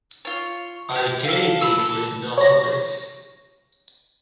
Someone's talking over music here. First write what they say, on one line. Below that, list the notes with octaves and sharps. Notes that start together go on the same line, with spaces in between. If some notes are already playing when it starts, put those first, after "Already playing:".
I created Linda Lovelace.
F4 C#5
G4
A4 F5
B5 E6
A4
C#5 A#6